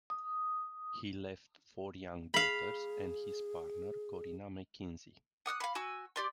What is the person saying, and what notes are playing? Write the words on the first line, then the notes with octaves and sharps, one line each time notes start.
He left four young daughters and his partner Corina McKenzie.
D#6
G#4 F5 B5
F#5 D#6 F6 F#6
F5 B5
F#4 G#5 E6
G4 D5 C6